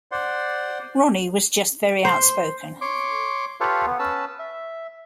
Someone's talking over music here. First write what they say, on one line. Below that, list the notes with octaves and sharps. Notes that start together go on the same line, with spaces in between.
Ronnie was just very outspoken.
C5 D5 F#5 C6
C5
C#5 C6 D6
F4 G4 A4 B4 C#5 F5
B3
C#4 B4 A5 E6
E5